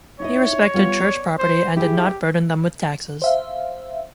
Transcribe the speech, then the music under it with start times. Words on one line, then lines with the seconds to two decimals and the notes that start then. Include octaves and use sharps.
He respected church property and did not burden them with taxes.
0.20 D#4 E4 C#5 D#5
0.74 G3 B3 F4
1.04 D5
1.39 C5
1.77 E4 G4 G#4
3.22 C5 E5 F5